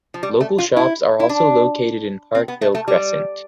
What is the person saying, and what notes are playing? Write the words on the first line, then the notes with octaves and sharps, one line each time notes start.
Local shops are also located in Parkhill Crescent.
F3
G3
A3
F4
E4
E4
D4
C4
B3
A3
A3
G3